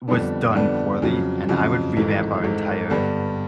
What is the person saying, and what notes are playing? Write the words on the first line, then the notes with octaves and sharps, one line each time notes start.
was done poorly, and I would revamp our entire
F2 D3 G3 B3 D4
F2 D3 G3 B3 D4
F2 C#3 F#3
F2 C#3 F#3
G#1 G#2 E3 A3
G#1 G#2 E3 A3
G2 D3 G3 B3